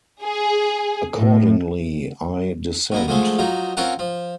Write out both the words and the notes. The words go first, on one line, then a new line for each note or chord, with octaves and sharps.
Accordingly, I dissent.
G#4
A2
B2 A#3 B3
D3 F3 G#3 A3
F3 F#3 D#4
C4 C#4 F4 A#4 F#5
F3